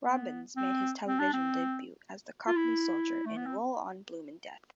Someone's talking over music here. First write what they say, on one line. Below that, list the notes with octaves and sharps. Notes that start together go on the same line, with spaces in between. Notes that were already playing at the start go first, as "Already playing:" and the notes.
Robbins made his television debut as the cockney soldier in "Roll-on Bloomin' Death".
B3
C4
C4
D4
C4
F4
E4
A3
B3
C4